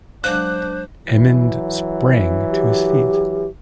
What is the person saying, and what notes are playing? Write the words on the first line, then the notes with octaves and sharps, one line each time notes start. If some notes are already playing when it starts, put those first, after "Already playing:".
Edmund sprang to his feet.
F#3 G#3 D4 C5 F5 F#6
E3 F#3
G4